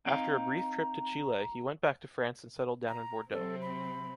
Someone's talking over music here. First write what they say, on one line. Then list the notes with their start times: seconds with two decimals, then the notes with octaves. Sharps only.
After a brief trip to Chile he went back to France and settled down in Bordeaux.
0.06 C4 D#4 F5 A#5
2.88 A#5
3.32 C3 F#3 C4 A4
3.61 B5